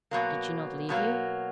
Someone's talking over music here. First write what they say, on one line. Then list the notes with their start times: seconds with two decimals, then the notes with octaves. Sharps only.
"Did she not leave you?"
0.11 B2 F#3 A#3
0.89 B2 F#3 A#3